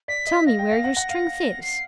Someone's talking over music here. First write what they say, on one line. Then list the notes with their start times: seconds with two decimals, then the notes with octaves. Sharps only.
Tell me where your strength is.
0.08 D5 B6
0.27 D#5
0.46 F5 A#6
0.59 G5
0.71 F5
0.84 F#5
0.97 F#5
1.10 F5
1.62 C7